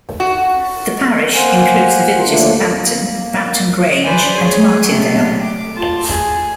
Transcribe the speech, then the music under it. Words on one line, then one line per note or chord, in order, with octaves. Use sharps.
The parish includes the villages of Bampton, Bampton Grange and Martindale.
F#4
A#3 A#4 C5 F#5 G#5
D#2 D3 F3 A3 A#3 D4
A#3
B4 C5 D5 G#5 B5
G#4 C#5
F#3 G#3 A3 B3 D4 G4
D6
F4 A5 C6
G#4